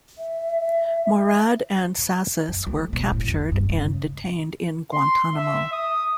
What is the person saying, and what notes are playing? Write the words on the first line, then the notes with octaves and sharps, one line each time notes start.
Mourad and Sassis were captured and detained in Guantanamo.
E5
F#2
D2
B2
A2
F2
G2
C#3
C6
E5
D#6